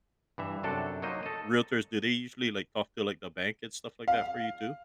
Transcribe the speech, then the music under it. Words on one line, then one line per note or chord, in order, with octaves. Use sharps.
realtors, do they usually, like, talk to, like, the bank and stuff like that for you, too,
G2 E3 E5
F#2 C3 D4 F#4 A4
F#3 A#3 D#4 C5 D#5
A4 D#5
F5